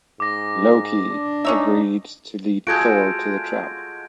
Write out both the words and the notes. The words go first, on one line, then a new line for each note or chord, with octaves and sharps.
Loki agreed to lead Thor to the trap.
G#2 D6 A#6
D4
C#4 D#4 C#5 E5
G#3 F4 F#4 A4 G6 G#6 D7